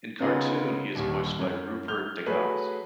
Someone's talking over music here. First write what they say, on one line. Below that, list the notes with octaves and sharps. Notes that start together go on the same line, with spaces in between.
In cartoon he is voiced by Rupert Degas.
C#3 B3 D#4 F4 G#4 A#4
D#1 D#2
F#2
F6 G6 F7 G7
F#3 A3 G#4 B4